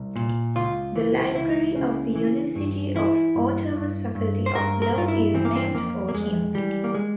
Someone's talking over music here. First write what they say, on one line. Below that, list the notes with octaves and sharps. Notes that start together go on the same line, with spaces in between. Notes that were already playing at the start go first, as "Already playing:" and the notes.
The library of the University of Ottawa's Faculty of Law is named for him.
Already playing: C2
A#2
C#2 F4
E3
C#2 E4
C#3
E3
G2
E3 E4
G2
G2
G2
C5
G2 A#4
A#4
G2 F4
E4
E3 C4
A#3
C4
F2 A#3
A#3
F2 G#3
E3 G3
A#3
G#3